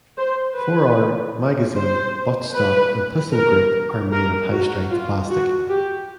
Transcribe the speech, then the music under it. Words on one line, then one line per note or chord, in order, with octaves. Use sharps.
Forearm, magazine, butt stock and pistol grip are made of high strength plastic.
C5
B4
C5
B4
A#4
A#4
F#4
F4
F#4
G4